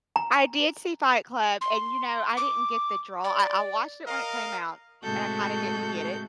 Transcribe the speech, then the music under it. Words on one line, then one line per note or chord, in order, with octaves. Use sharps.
I did see Fight Club, and, you know, I didn't get the draw. I I watched it when it came out, and I kinda didn't get it.
A#5
C6
D6
D5
A#4 D#5 F5
A2 C3 G#3 F#4 A4 G6